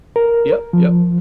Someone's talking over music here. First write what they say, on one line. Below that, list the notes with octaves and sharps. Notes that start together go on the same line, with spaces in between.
Yep, yep.
A#4
F3